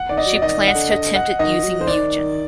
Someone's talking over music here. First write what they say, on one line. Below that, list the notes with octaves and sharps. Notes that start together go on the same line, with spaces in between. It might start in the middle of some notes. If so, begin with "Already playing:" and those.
She plans to attempt it using Mugen.
Already playing: F#5
D#3 D5
D#5
F#3
D5
D#3 D#5
D#3
F#5
D3
D#5
F#5
D#3 D#5
D#3
F#3
D3 C5
D#3 D5